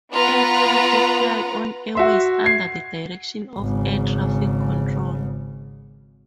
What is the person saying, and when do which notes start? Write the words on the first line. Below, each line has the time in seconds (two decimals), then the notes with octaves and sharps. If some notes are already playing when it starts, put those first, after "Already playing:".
Aircraft fly on airways under the direction of air traffic control.
0.13 B3 F4 B4 F#5 A#5
1.95 F#4 E5 C6
2.44 G#6 C7
3.59 G#1 C#3